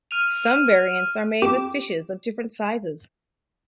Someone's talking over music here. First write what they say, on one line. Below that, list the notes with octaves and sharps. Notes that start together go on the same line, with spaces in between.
Some variants are made with fishes of different sizes.
F6 D#7 F7
F2 G4 D6 E7